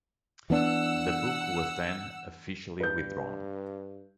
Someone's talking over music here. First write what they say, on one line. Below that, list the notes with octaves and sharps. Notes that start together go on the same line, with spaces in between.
The book was then officially withdrawn.
E3 B3 D4 F#5 E6
G2 B4 G6